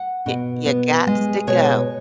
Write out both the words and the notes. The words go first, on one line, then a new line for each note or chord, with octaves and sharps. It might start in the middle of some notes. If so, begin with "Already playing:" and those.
you you gots to go.
Already playing: F#5
B2
B3
G#3
B2 C#5